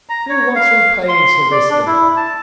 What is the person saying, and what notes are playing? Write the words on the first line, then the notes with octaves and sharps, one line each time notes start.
Who wants repaying, Sir Risdon?
A#5
C#5
F5
C6
D5
D4
E4
A5